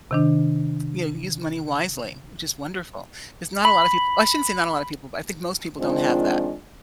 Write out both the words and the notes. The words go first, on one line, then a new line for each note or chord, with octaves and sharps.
you know, use money wisely, which is wonderful. There's not a lotta people I shouldn't say not a lotta people, but I think most people don't have that.
C3 D#3 D4
B5
D#3 F3 G#3 C4 D4 F4